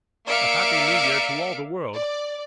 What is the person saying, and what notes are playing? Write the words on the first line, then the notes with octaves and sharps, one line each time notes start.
A happy New Year to all the world!
A#3 D5 E5 F5 C#7 D7
D5